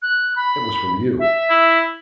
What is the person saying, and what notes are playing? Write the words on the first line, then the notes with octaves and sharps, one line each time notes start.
It was from you!
F#6
B5
E5
E4